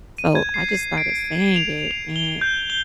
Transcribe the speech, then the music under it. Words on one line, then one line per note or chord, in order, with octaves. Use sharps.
So I just started saying it, and
D#7
G#6
C7
C7
D7
F7
F7
G7
G6
G7